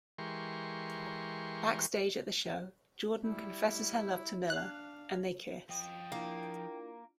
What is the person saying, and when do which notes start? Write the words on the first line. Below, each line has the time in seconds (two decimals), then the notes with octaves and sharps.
Backstage at the show, Jordan confesses her love to Miller and they kiss.
0.18 E3 G#3 G4 A#4 C6 C#6
3.24 G3 E4
4.50 D4 F5 F#6
5.69 F3 D#5 G5
6.12 A#3 D4 E4 F4